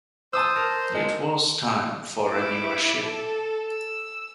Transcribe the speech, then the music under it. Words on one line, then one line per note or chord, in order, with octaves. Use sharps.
It was time for a newer ship.
C5 A5 D#6 E6
A#4
G#3
E4 D6
A4
E6